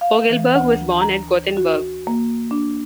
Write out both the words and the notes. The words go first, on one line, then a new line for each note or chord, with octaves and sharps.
Fogelberg was born at Gothenburg.
F5
E3
D2
A#5
F#4
A#3
D4